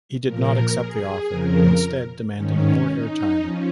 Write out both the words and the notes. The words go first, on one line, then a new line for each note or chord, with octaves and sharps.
He did not accept the offer, instead demanding more airtime.
A#2 F3 A#4
G#4
F2 C#3 F3 A#4
G#2 D#3 C#4
D#4
F3 C#4